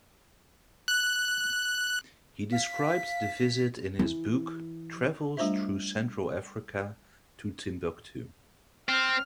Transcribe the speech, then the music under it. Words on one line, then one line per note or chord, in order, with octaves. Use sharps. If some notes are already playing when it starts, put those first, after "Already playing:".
He described the visit in his book "Travels through Central Africa to Timbuctoo".
F#6
F5 B6
E3
G3 A3 D4 F4 C5 E5
C4 F6